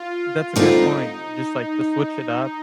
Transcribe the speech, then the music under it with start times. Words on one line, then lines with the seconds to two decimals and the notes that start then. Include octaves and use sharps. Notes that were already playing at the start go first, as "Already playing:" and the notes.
That's a good point. Just, like, to switch it up.
Already playing: F4
0.56 D3 G3 C4 D#4 F4